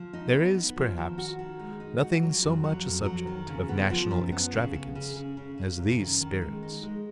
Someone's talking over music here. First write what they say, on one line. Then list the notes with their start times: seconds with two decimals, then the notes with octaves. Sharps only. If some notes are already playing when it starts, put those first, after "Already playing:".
There is, perhaps, nothing so much a subject of national extravagance as these spirits.
Already playing: F3
0.13 D#4
0.33 B3
0.54 B3
0.76 F3
0.97 D#3
1.18 F#4
1.39 D#3
1.59 G#3
1.80 D#4
2.02 F#4
2.23 F#3
2.43 F2
2.64 F#3
2.85 F2
3.06 F#3
3.27 D#3
3.48 C#3
3.69 B3
3.90 F3
4.11 F#2
4.32 B3
4.53 C#3
4.74 C#3
4.95 C#3
5.16 C#3
5.37 C#3
5.58 C#3
5.79 F#2
5.99 D#3
6.20 D#3
6.42 G#3
6.63 D#4
6.83 G#3